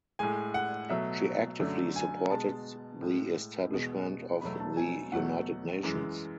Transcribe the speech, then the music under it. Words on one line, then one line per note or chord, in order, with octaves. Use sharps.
She actively supported the establishment of the United Nations.
A2 G#3 G#5
F#5
B2 F#3 A3 E5
F#2 D3 F#3 A3
G#5
B2 G#3 A5
A2 G#3
E2 B2 G#3
E2 B2 F#3 A3 B5
A5
G#5
E2 B2 F#3 A3 F#5
F#2 E3 G#3